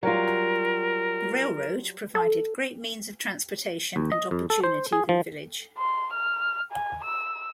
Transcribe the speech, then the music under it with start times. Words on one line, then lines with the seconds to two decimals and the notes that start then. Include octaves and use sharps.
The railroad provided great means of transportation and opportunity for the village.
0.03 F#3 G3 F4 A#4
2.15 A4
3.96 D#2
4.12 D#5
4.31 F2
4.50 A4
4.64 C5
4.93 G#4
5.09 F3
5.78 C6
6.13 F6
6.72 G#5
7.04 E6